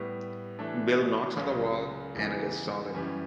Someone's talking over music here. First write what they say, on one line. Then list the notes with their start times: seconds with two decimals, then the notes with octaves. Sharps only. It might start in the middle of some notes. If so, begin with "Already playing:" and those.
Bill knocks on the wall, and it is solid.
Already playing: A2 G3 B3
0.59 E3 A3 D4
1.37 C#2 C#3 F#3
2.15 E2 C#3 E3 G3
2.94 F#2 E3 G3